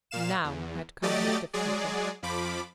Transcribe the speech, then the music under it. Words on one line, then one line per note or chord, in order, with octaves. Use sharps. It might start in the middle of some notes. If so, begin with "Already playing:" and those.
Now had come his difficulty.
A#2 F5 E7
E2
F#3 A3 G4 D5 D#5 A6
F#3 G#3 G#4 D5
F2 F3 B5 D6